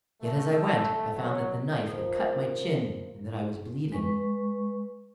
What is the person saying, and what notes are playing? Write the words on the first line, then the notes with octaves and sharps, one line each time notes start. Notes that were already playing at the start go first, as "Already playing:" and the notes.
Yet, as I went, I found that the knife had cut my chin, and that I was bleeding.
A3
F#3
D#3 F3
G#3 B4 C#6